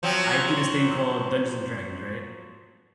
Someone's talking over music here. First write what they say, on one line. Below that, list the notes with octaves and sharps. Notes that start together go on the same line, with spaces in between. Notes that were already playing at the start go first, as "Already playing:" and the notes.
I do this thing called Dungeons and Dragons, right?
F3 F#3 C4